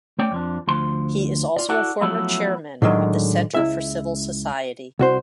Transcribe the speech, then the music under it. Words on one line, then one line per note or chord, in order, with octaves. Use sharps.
He is also a former Chairman of the Centre for Civil Society.
A3 C#4 C#5 D5 G5
F2 F3 D4
D2 F3 C6
F4 D5
E4 F#4 A4 D5 F#5
F3 F#3 A3 B3 E4
A2 D3 D#3 F#3 G#3
C#2 E4 E5
C2 F#4 C5